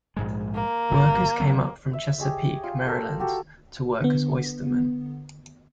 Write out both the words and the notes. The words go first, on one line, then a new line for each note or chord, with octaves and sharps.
Workers came up from Chesapeake, Maryland, to work as oystermen.
A#1 G#2 G#3
A#3
G1 A#2
D3 F#3 B3
E5
G4 G#4 C#5 D#5
F4
A4 A#4
F#4 G4 A4
D3 B3